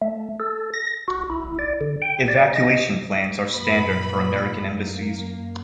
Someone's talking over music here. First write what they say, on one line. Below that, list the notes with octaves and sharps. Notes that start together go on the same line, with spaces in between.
Evacuation plans are standard for American embassies.
A3
A4
A#6
F#4
E4
D5
D3
G5
D5
D#5
F#2 A#2 B4 B5
F#2 A#3